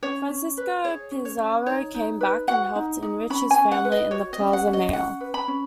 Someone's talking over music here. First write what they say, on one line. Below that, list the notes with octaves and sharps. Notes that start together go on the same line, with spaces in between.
Francisco Pizarro came back and helped enrich his family in the Plaza Mayor.
C#4 C#5
C#4
B4
G#4 C#5
C#4
C#5
C#4
D#4 C#5
D#4
B4
F#4 F#5
D#4
D#4
C#4 B5
G#5
C#4
F#5
B4
D#5
F#4 C#5
D#5
C#4
F#5
C#4
D#5
C#4 F#5
B4
B5
C#4